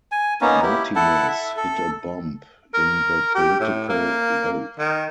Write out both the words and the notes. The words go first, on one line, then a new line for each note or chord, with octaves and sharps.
Martinez hit a bump in the political road.
G#5
A#3 B3 C#4 D#4
E4 G4
E4 A4 F#5 A5
E5
A4
A#4
G4
A2
A#3
D#3